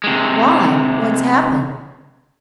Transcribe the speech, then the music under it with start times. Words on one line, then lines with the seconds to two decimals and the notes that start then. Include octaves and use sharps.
'Why, what's happened?
0.04 C3 G#3